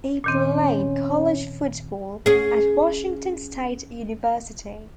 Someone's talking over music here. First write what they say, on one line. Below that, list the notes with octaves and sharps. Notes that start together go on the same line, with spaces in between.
He played college football at Washington State University.
A#2 D#3 C4 C#4
C#4 G#4